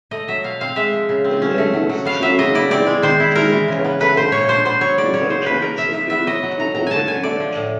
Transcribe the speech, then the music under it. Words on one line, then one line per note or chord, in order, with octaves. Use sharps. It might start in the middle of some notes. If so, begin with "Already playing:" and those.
The name was chosen owing to the tops of nunataks appearing to overhang it.
A3 D#5
F#3 E5
B2 F5
C4 F5
G#3 E5
F3
C#3
C4
C#4
A3
F#3
F#3
B3 F5
F#3 E5
C#3 D#5
E4 D5
C4 D5
G#3
D#3 C5
E4
G#3 A#4
E3
C#3
B3
A3 B4
F3 C5
A#2 C#5
D4 C5
B3 C5
F#3 C#5
C#3 D5
C#3 C#5
D#4 C5
A#3 B4
F3 A#4
F3 E5
D#4 E5
B3 E5
F#3 D#5
F#3
A3 A#5
F#3 A#5
D3 G#5 A5
D3 G#5
A3 D5
F3
A2